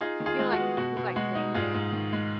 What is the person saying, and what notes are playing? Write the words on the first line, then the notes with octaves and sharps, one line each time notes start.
you know, like, if it's, like, game day.
D#4 F4 G#4
D#3
F4 G#4
G#3 F4
F#4
B3
B2 F#4
B2
G#3 F#4
D#4
G#2 F4 G#4
G#2
D#3
G#3